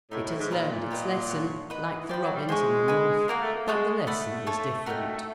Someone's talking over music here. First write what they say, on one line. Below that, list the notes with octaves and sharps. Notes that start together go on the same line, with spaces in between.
It has learnt its lesson like the robins in the north, but the lesson is different.
A2 D#4 F#4 B4 E5
A2
G#2
A#2 B4 D5 F5 A#5
D#4 G4 B4 D#5
E4 A4 C#5 F#5
D#3 B4 D#5 F#5
E3
F3 D5 G5 B5
F#3
G3
G#3 C5 E5 G#5 C#6
B4 D#5 G#5 B5
A#3 F#4 A#4 D5
A3
A#3
G#3 A4 C#5 F#5
A3 D5 F#5 B5 D#6
F4 A4 C#5
F#4 A#4 D#5 G5